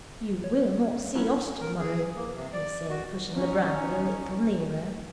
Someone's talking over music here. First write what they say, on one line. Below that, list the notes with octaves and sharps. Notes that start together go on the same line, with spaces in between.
'You will not see us tomorrow,' he said, pushing the brandy a little nearer.
C#5
F#3 C#4 E4
A#4
G#4
A#3
C3
D5
F#4
C#4 D#4